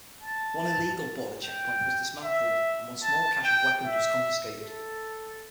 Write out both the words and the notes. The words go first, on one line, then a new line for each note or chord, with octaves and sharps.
One illegal border checkpoint was dismantled and one small cache of weapons was confiscated.
A5
G5
E5
A5
G5
E5
A4